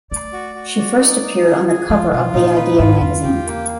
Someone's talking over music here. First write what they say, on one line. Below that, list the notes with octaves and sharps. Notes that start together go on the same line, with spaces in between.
She first appeared on cover of the Idea Magazine.
A3 D5
F#4
F#4
D5
D#4
D#4
G#4
G#4
F3 F4
B2 F4
A#2 D#4
B4
G#2 F4
F2 F4
E2 G4
A#3